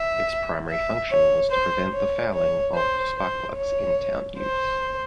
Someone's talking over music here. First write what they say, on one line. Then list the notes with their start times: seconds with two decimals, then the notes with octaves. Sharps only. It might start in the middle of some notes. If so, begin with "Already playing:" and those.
Its primary function was to prevent fouling of the sparkplugs in town use.
Already playing: E5
0.70 E5
1.11 C#5
1.51 C5
1.93 C#5
2.33 C#5
2.75 C5
3.17 C5
3.57 C#5
4.40 C5